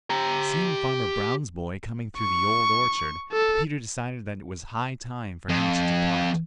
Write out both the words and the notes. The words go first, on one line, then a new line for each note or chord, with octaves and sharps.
Seeing Farmer Brown's boy coming through the Old Orchard Peter decided that it was high time for him to depart.
G4 A#5
C#6
A4
F2